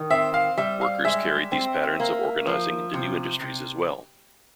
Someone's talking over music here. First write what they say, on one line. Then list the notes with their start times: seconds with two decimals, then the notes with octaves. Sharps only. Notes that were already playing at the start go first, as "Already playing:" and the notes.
Workers carried these patterns of organizing into new industries as well.
Already playing: D#3
0.10 C4 E5
0.34 F5
0.58 G3 E5
0.81 F5
1.05 G#3 E5
1.52 C4
2.00 A#3
2.46 F3
2.94 C3
3.41 C3